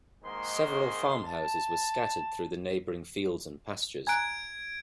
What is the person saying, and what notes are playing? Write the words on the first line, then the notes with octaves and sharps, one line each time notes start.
Several farmhouses were scattered through the neighbouring fields and pastures.
G#2 D#3 G#3 A#3 C6
A5
G#5 A#5 F#6 G#6 D7